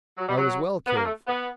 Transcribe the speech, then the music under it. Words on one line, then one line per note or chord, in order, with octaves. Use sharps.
I was well cared for.
F#3
G3
F#3
B3
A#3
A3
B3